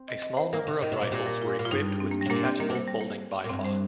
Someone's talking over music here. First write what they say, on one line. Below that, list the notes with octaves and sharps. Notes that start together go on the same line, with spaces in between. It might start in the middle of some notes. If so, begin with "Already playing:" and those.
A small number of rifles were equipped with detachable folding bipod.
Already playing: C4
D#5
D#5
C5
A#3 A#4
C3
D#3 D#5
C3
A#2 C5
A#2 G4
A#4
F4
A#2
F4
G2 D#4
C4
A#3
G3
C3
A#2 A#3
G3 C4
D#3 A#3
C3
A#3
G3
A#3
A#2
G2 C4
C5